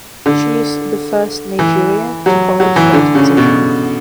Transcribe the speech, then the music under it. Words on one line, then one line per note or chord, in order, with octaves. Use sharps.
She is the first Nigerian to hold that position.
D3
E3
F#3
F#3
E3
D3
C#3
B2